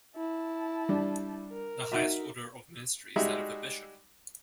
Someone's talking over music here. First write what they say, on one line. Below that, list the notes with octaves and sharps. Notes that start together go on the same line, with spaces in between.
The highest order of ministry is that of a Bishop.
E4 A5
G3 D4
A#4
D#4 F#4 E5
G3 G#3 D#4 F#4 E5